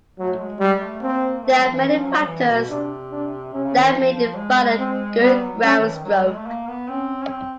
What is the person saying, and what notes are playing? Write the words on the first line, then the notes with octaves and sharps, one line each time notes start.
There are many factors that may define a good groundstroke.
F#3 A3
G#3
G3 G#3
A3
A#3 C4
A3
A3
F#3
F3
E3
C#4
F3
F#3
G3
E3
B2
C3 D4
D4
C3 C#4
C#3
D#3
E3
F3
F3
G#3
C4
G3 B3
F#3
G3 C#4
D#3
E3
D#3
F#3
G3
G#3
A3
A#3
B3
C4 C#4
C#4
C4